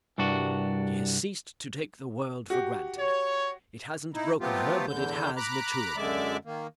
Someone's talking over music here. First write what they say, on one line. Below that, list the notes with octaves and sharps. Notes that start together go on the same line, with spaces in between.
She has ceased to take the world for granted. It hasn't broken her but it has matured her.
C2 G2 D4 F#4
F#4 G4
C#5
D#4 E4
F#3 A3 B3 C4 F4 G4
E2 D3 G6
A#5 B5 D6 F#6
F#2 D3 G#3 D5 E5 D6
D#3 A#3